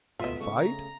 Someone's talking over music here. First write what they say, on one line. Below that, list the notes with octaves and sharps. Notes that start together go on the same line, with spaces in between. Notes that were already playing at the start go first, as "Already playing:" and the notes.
"And fight?"
B2 A3 B3 F4 D#5 E5
C#3 A3 C#6
A#5